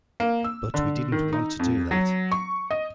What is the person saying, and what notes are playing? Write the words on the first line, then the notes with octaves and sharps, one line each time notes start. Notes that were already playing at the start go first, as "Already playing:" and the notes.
But we didn't want to do that.
A#3
E6
D3
D#3
D#4
F2
F#3
C#6
D#5